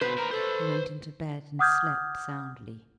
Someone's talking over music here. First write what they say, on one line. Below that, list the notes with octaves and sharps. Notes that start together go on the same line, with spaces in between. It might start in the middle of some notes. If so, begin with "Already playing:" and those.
He went in to bed and slept soundly.
B2 B4 C5
A#4 C5 A#5
A4 C5 B5
F#5 D6 D#6 F6 G6 G#6